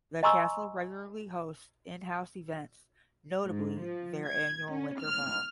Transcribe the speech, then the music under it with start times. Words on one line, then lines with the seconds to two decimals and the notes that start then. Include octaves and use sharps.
The Castle regularly hosts in-house events; notably their annual Winter Ball.
0.23 D#5 G#5 A#5 C6 C#6 E6
3.45 G#2
3.81 F3
4.28 G#6
4.71 C#4
5.01 F6